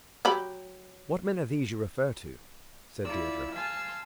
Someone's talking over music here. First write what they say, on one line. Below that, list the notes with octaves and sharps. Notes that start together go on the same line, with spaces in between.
"What men are these you refer to?" said Deirdre.
F#3 G4 B5
E4 F4 D5 E6
F5 G#5 A5 C6 E6